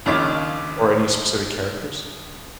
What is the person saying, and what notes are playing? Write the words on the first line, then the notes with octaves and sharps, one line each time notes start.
or any specific characters?
A#1 D#2 C#3 F4 C#5 D6